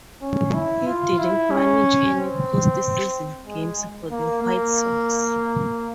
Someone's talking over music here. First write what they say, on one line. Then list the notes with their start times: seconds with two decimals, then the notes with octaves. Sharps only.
He didn't manage any post-season games for the White Sox.
0.22 C#4
0.54 E4
0.86 F4
1.19 E4
1.51 C#4
2.16 C4
3.45 G#3
4.11 A#3
4.42 A#3